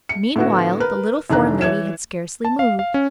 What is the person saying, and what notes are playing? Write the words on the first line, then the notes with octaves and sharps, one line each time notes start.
Meanwhile the little foreign lady had scarcely moved.
C#7
A2 D3 A3 B3 E4 F#4
A#4 B4
F1 D#3 E3 D4 A#5 F#6
E3 C#5 G#6 E7
A5
F5
F5
C#4